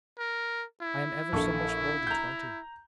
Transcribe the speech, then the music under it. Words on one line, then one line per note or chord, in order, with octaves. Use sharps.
I am ever so much more than twenty.
A#4
E4
A#1 A4 C#6
A#5 G6